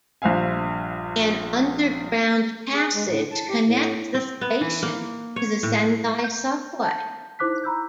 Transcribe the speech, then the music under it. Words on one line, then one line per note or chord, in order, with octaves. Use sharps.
An underground passage connects the station to the Sendai Subway.
A#1 G2 C5 E5 F5 G#5
G#4
G#3
A2
A5
G4
A2
C4
B3
E3
A#3
C#5
A2
G6
A5 G6
D#4 E4 C5 D6 F#6 B6
A#5 B5 E6 G6